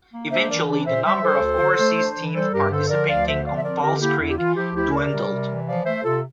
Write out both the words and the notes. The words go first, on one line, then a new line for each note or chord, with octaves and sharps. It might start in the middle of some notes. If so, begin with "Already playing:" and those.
Eventually, the number of overseas teams participating on False Creek dwindled.
A#3
D4 C5 E5
E3 A#4 D5
D4
A#2 C5 E5
G3 C5 E5
G3 A4 C5
D2
D3
A3
D4
E3
G3 A4 C5
G2 G4 A#4
D3 A4 C5
F3 A#4 D5
D2 D5 F5
D3 C5 E5
F3 D5 F5
E5
C4 A#4 D5
D3 G4 A#4
A#3 E4 G4
E2 E4
G4
E3 F4
F3 E4 G4
D2 E4 G4
C3 A#4 D5
G3
C3
E3
F3 D5 F5
A3 C5 E5
C3 F4 A4